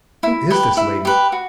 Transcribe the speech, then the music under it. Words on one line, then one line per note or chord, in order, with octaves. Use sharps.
Who is this lady?
E4
G4 B4
E4
G4 B4
F#4